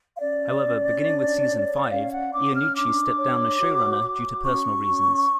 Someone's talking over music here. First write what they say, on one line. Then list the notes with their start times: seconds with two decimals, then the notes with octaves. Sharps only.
However, beginning with season five, Iannucci stepped down as showrunner due to "personal reasons".
0.16 F5
0.20 C#4 D5
0.63 C#4
1.05 D4
1.48 C#5
1.90 C#4 F5
2.11 F#5
2.32 C#4 D6
2.54 F6
2.74 D4 D6
3.17 C#5
3.60 F#4
4.02 F#4
4.44 C#4 C#6
4.86 C#4